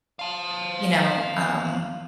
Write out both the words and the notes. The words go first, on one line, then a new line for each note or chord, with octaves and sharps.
you know, um
F5 A5